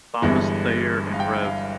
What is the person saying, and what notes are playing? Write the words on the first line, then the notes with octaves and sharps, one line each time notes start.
Thomas Thayer and Rev.
G1 G2 E3 G#3
F5
G5
F5